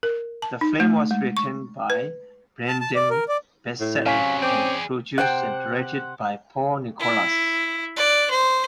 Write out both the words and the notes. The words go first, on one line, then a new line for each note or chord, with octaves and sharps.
The film was written by Brendan Beseth, and produced and directed by Paul Nicolas.
A#4
A5
D#4
A3
G#3
C#6
B4
A5
A5
D5
A#4
D5
A2
C3 F#3 C#4 F5 G#5 B6
C4 G#4 D5 G5 D6
C3 C5 F#5 G5
E4
D5 F#6
C5